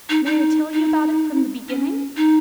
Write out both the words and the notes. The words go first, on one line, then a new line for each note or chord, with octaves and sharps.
'May I tell you about it from the beginning?'
D#4
D#4
D#4
C#4
D#4